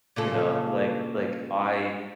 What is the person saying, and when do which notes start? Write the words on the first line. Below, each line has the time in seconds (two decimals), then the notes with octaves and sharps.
You know? Like like, I,
0.16 A#2 C#3 A4